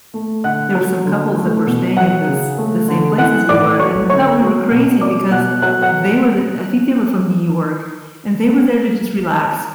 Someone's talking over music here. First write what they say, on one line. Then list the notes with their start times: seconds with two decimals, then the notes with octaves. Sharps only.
there were some couples that were staying at this the same place as we were, and they thought we were crazy because they were the I think they were from New York, and they were there to just relax.
0.14 A3
0.44 D3 F#5 F#6
0.75 F#3
1.05 D3
1.36 A3
1.67 B2
1.97 F#3 F#5 F#6
2.27 C#3
2.58 A3
2.88 D3
3.18 E3 F#5 F#6
3.49 A2 D5 D6
3.79 F#3 C#5 C#6
4.10 D3 C#5 C#6
4.40 F#3
4.71 B2
5.01 F#3 D5 D6
5.31 B2 F#5 F#6
5.62 F#3 F#5 F#6
5.82 F#5 F#6